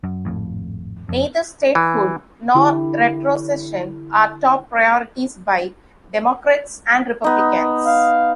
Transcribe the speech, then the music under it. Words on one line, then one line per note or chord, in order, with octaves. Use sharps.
Neither statehood nor retrocession are top priorities by Democrats and Republicans.
F#2
G#1 F2 A2
F1 F2
E3
D3 E4 G4
B3 D#4
F5